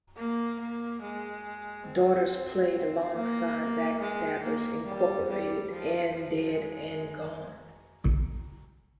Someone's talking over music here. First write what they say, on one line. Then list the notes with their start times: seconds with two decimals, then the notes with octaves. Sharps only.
Daughters played alongside Backstabbers Incorporated and Dead and Gone.
0.17 A#3
0.60 A#3
1.02 G#3
1.87 C4
3.15 A#3
4.00 G#3
4.43 A#3
4.85 G3
5.28 G3
5.70 F3
6.13 F3
6.55 G#3